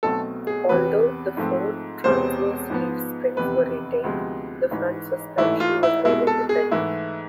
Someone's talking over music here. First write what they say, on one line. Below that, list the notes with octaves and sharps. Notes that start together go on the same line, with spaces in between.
Although the Ford transverse leaf springs were retained, the front suspension was made independent.
B1 B2 A3 C4 A4
G#4
E2 C3 E3 B3 B4
G#2 F3 A3 C4
E1 E2 C3 G#3 B3 C5
G#2 F3 B3
F1 E2 C3 B4
D2 C3 F3 G#3 B3
A1 G#2 E3
A1 G#2 E3 A3 E4
F4
E4
C2 B2 G#3 E4
A4
G#4
G#2 E3 A3 E4